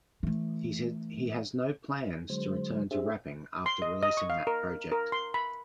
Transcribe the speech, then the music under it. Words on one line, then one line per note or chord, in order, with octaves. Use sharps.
He said he has no plans to return to rapping after releasing that project.
E3 A3
D3 F#3 G#3 C5
D4 G4 G#4 C5 E5
C6
D#5
D#5
C#6
F5
A#4
A#4
C6
B5